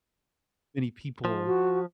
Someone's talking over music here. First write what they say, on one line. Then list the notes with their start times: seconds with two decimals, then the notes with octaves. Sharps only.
many people
1.25 F3
1.46 F#4